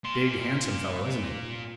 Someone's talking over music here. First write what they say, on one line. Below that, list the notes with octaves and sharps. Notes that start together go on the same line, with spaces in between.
Big, handsome fellow, isn't he?
A#2 C6